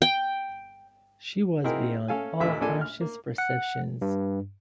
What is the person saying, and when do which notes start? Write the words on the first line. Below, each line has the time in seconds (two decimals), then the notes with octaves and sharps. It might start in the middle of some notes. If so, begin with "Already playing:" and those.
She was beyond all conscious perceptions.
0.02 G5
1.64 C4 D#4 E4 F#4 G#4 A#4
2.08 C#4 A4 F5 G#5
2.40 A1 D#2 A#2 D3 E5
2.61 A#1 A#2 D4 A4 G#5
2.81 F6
3.01 A#3
3.38 F#5
4.01 G2